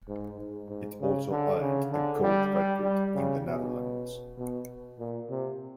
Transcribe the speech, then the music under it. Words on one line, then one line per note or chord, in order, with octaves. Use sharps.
It also earned a gold record in the Netherlands.
G#2
G#2
G#2
C#3
D3
C#3
D3
G3
G3
G3
C#3
B2
B2
A#2
C3